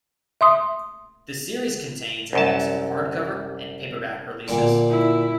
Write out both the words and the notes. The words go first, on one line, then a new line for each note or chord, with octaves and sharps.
The series contains a mix of hardcover and paperback releases.
E5 C6 D#6
C2 F#2 A5
A#2 D3
E4